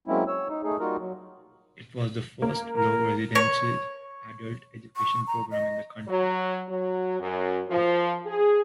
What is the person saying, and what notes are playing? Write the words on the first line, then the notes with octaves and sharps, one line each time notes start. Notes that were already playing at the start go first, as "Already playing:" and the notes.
It was the first low-residency adult education program in the country.
F#3 G#3 A#3 C4 C#4 E4
C#5 E6
D#4
A3 D#4 G#4
G3 A#3 D#4 F4 F#4 A#4
F#3
A#3
A#4
C#5
C#6
A#5
D#5
F#3
F#3
F#2
F3
G#4